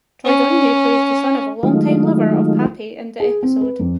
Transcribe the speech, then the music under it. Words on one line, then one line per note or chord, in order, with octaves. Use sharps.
Troy Donahue plays the son of a long-time lover of Pappy in the episode.
C#4
D#3 F#3 G#3 A3 D#4 F4
G#4
C4
B4
F2